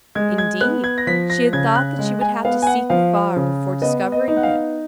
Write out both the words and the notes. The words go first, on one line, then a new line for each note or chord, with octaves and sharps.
Indeed, she had thought that she would have to seek afar before discovering him.
G#3 G#6
G#6
B3 F#6
G#6
A#6
F3 B6
A#6
C#3 G#6
F#6
G#3
G#5
B3 F5
G#5
F#5
F3 F5
C#3
B3 D#5
D#5
D#4
F#5
F5